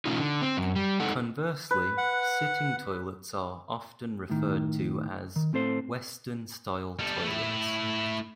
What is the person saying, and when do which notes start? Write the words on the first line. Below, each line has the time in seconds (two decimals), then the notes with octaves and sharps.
Conversely, sitting toilets are often referred to as "western-style toilets".
0.06 B2 E3 A3 C#4 D#4 F4
0.20 D3
0.42 C4
0.57 F#2
0.76 G3
1.00 C3 G#3 D#4 A4 F#5
1.71 B4
1.98 F#5
4.30 A2 D#3
5.36 D#3
5.53 A2 C4 A4 C5
6.99 G3 A4
7.24 A3 E4